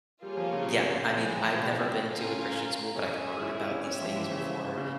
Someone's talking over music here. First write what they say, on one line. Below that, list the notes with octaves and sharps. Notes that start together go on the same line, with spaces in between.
yeah, I mean, I've never been to a Christian school, but I've heard about these things before,
G3 A#3 F4 G#4 C#5
F3
C#3
C3
F3 E4 G#4 C5 G5
E3
C#3
C4
C#4 F4 A#4 F5 G#5
C#4 G#4 C#5 E5
E4
E4
C#4
C#4 G4 C5 E5
F3
E3
C#3
C#3